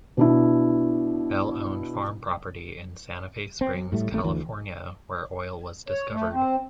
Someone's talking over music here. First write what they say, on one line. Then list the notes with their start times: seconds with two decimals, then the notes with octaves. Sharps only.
Bell owned farm property in Santa Fe Springs, California, where oil was discovered.
0.17 B2 D4 E4
3.61 C4
3.74 F#3
3.92 A2 G3 A3
4.12 A1 A3
4.24 D2 E3
5.89 C#5
6.12 A3
6.33 C4